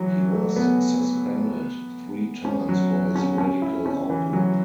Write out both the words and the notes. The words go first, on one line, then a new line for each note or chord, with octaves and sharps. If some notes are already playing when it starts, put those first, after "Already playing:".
He was suspended three times for his radical outlook.
Already playing: E3 F#3
A3
B3
C#4
F#3
C#4
C#4
E4
C#4
E3
F#3